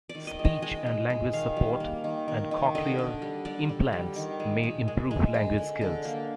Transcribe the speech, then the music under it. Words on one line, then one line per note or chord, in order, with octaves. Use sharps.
Speech and language support and cochlear implants may improve language skills.
D5
D#3
D#5
G#3
D#5
G#3 D#5
G#3
G#3
D#3 F5
G3
A#3
D#3
D#3
D#3
D3 D#5
D3
G3
G3 D5
D3
G3
D#3
G#3
G#3
G#3
G#3
G#3
D3
D3
A#3